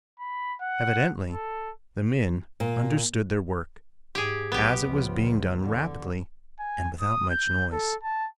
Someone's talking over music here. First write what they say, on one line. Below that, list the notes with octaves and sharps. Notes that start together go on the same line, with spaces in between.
Evidently the men understood their work, as it was being done rapidly and without much noise.
B5
F#5
A4
A#2
G#2 G4 G#4
B1 B3 G4
C#2 F3
E2 D3
G#5
D#6
G6
A4
A5